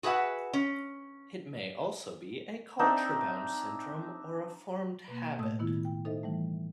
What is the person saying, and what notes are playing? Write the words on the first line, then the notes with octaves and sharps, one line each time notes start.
It may also be a culture-bound syndrome or a formed habit.
F#4 G#4 B4 E5 F#5
C#4
C4 D4 D#4 E5
B2 A#3
A2 A3 D#6 E6
D#3 B3 E4 F4
G5
D#4 A4 C5 D#5 E5
E3 G3 A3